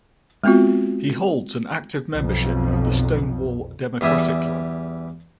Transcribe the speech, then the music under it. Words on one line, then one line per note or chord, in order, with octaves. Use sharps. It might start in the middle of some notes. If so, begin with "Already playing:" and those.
He holds an active membership of the Stonewall Democratic Club.
G#3 B3 C4 F4 F#4
B1 F2
E2 G3 G#4 E5